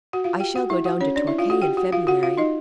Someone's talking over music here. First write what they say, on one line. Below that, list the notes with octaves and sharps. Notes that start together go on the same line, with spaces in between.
I shall go down to Torquay in February.
F#4 F#5
F4 F5
G4 G5
F#4 F#5
E4 E5
F#4 F#5
C#4 C#5
D4 D5
E4 E5
F4 F5
F#4 F#5
G4 G5
F#4 F#5
F4 F5
F#4 F#5
F4 F5
D#4 D#5